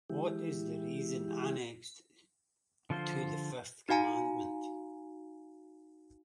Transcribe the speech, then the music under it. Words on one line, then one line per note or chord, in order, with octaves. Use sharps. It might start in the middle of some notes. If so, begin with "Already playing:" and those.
What is the reason annexed to the fifth commandment?
E3 G#3 E4 G4
D3 F3 F4 C5
D#4 F#4 F5 G#5 A#5